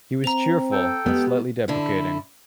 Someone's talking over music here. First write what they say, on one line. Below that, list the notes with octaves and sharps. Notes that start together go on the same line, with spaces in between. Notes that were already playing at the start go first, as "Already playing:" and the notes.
He was cheerful, but slightly deprecating.
C4 A#5 F7
A4 G5
G#3 B3 G4
D3 E4